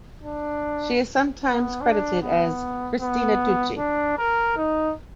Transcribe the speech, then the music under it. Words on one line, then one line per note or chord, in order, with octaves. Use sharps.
She is sometimes credited as 'Christina Tucci'.
D4
B3
D4
B3
B3
D4
A#4
D#4